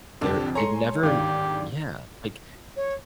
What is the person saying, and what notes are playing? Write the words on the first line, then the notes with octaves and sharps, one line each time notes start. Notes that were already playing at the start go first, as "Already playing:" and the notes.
they're they've never Yeah, like,
F1 F2 D3 D4 G4 D6
G#3 A4 C#5 G#5 A#5 C6 C#7
G1 G#2 D#3 D4 G4 F5
C#5